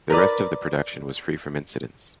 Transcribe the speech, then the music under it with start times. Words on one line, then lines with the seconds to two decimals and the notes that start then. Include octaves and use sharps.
The rest of the production was free from incidents.
0.10 A#4 B4 D5